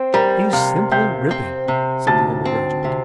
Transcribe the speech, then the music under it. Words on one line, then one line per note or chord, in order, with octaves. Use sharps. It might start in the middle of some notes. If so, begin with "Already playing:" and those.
"He's simply ripping!" said the undergraduate.
Already playing: C4 C5
G3 A#4 A#5
C3 F5 F6
C3 G5 G6
C4
C3
D2 A5 A6
C4
C3